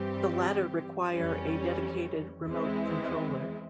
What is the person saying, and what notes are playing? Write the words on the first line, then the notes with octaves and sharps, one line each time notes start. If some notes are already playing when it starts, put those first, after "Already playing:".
The latter require a dedicated remote controller.
Already playing: G2 E3 G3 C4 G4
F2 E3 G3 C#4
E2 E3 G#3 C4 E4